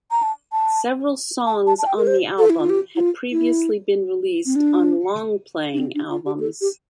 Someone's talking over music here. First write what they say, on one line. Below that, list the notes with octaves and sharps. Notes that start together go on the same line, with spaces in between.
Several songs on the album had previously been released on long-playing albums.
A#5
A5
A5
A5
A5
A5
G5
A#4
C5
A4
E4
F4
G4
E4
F4
E4
C4
D4
D4
C4
D4
F4
G4
A4
G4